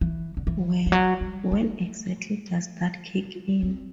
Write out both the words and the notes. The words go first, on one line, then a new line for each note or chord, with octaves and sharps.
Well, when exactly does that kick in?
E3
D3
E3
E3
F#3
G3
A3
C4